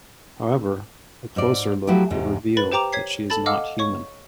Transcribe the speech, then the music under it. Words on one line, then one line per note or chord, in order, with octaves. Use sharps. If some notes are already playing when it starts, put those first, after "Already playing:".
However, a closer look would reveal that she is not human.
G#2 C5 D5
F3 F#3 A3 E4 F#4 G4
E2 G#2 C3
B4 B5 A6
G4 C5 G5 A#5 D6 F7
C#5 G#6 B6 C7
A4 A5 B5 A6
D#5 F5 F#5 D6 E6 F6
C#5 C#6